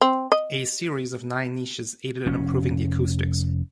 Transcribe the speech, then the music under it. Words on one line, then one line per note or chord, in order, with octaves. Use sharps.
A series of nine niches aided in improving the acoustics.
C4
D#5
F1 C#4